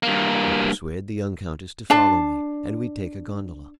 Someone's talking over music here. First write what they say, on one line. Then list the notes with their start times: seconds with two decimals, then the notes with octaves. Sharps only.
I persuade the young countess to follow me, and we take a gondola.
0.03 G2 A#3
1.90 D4 A5